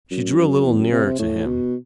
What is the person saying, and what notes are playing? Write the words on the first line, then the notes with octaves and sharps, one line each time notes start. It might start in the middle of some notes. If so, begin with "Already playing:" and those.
She drew a little nearer to him.
F#2
F#2
E2
F#2
C3
C3
A2
B2